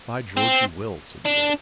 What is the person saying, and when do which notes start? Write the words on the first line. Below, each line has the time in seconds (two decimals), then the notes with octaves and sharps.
"By George, he will," said the earl.
0.37 C4
1.26 D4